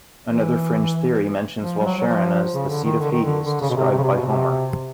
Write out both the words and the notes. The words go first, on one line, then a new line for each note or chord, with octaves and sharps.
Another fringe theory mentions Walcheren as the seat of Hades, described by Homer.
E3
F3
G3
F#3
F#3
F3
C#3
D3
D#3
D3
D#3
D3
D3
C#3
B2
C3
C3
C#3
C3
B2
C3